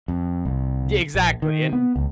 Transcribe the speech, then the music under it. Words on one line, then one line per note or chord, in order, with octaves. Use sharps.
Yeah, exactly, and
F2
C2
A#1
D#3
B3
C#2